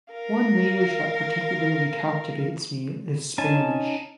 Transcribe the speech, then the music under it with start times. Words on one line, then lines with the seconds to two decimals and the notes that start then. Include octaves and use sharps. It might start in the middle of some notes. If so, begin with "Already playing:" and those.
One language that particularly captivates me is Spanish.
0.13 A#4 F5
3.38 C#4 D#4 G#5 A5